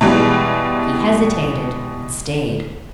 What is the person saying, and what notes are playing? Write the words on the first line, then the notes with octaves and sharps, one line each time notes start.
He hesitated and stayed.
B2 E3 G3 G#3